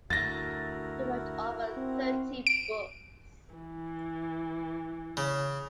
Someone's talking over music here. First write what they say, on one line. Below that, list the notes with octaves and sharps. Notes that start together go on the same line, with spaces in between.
He wrote over thirty books.
D2 E4 F#4 A#4 A6 A#6
C4
D7
E3
C#3